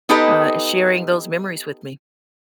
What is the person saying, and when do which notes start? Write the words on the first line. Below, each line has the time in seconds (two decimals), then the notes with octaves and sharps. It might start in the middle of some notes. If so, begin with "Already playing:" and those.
uh, sharing those memories with me.
0.09 B3 D#4 G4 A4 B4 D#5